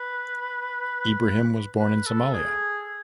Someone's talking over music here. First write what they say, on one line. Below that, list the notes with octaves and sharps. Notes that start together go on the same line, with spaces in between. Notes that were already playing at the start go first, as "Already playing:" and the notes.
Ibrahim was born in Somalia.
Already playing: B4
B4
A4
G#4